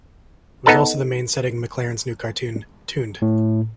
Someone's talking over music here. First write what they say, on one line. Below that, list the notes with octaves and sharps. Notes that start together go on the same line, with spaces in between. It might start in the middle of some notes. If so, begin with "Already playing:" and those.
It is also the main setting of McLaren's new cartoon, "Tooned".
B3 D#4 A4 B4 A5
A2